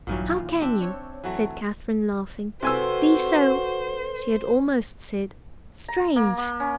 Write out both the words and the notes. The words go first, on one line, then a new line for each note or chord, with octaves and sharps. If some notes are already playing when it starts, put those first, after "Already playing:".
"How can you," said Catherine, laughing, "be so--" She had almost said "strange."
A#1 G2 A#2 D#3 E3 F#3
F4
C4 D4 E5
C#5
E3 F#3 A3
C3 F#4 A4 B4 C5 G#5 E6
A#5
A#3
A#3
C#4